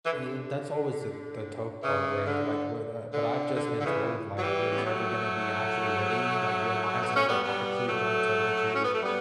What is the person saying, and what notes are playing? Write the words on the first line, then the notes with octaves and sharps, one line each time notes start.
You'd that's always the the tough part, right? Like, what, uh but I've just been told, like, "You're never gonna be actually ready," like, "Your mind's never actually going to let you
E3
D3
C#3 E3
D3
D3
D3
D3
C#3 E3
F#3
E3 G3
C#4
B3
F#3 A3
B3
C#4
G3 B3
G3 B3
F#3 A3
C#4
B3
A3
G3 B3